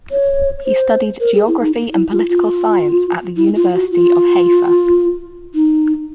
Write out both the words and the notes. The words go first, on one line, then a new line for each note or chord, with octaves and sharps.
He studied geography and political Science at the University of Haifa.
C#5
C5
A#4
G#4
E4
D#4
E4
F4
F4
E4
F4
F#4
F4
D#4